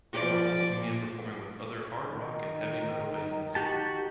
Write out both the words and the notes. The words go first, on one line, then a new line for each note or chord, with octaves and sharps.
Moore also began performing with other hard rock and heavy metal bands.
F3 D5
A#2
D#3
F#4 G4 A5